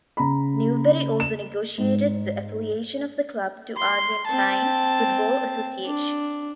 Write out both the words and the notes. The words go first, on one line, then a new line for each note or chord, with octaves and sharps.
Newbery also negotiated the affiliation of the club to Argentine Football Association.
C#3 A#5 B5
E7
G#2
C6
C4 A5
D4